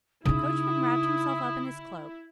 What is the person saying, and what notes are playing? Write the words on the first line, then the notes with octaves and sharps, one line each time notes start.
The coachman wrapped himself up in his cloak.
C#3 D#4 E4 D#6